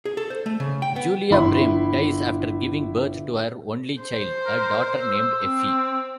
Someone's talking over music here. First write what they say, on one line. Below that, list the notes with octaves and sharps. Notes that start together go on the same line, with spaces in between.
Julia Bream dies after giving birth to her only child, a daughter named Effie.
G#4
A4
C5
A3
C#3
G5
B3
G1 E4 B5 C6
C5
A#4
E6
C4